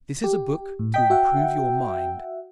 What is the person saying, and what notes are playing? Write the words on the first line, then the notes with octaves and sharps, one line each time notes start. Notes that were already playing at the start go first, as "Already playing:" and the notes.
This is a book to improve your mind.
G4
A2
D#5 G5 B6
F#4 E5 F#5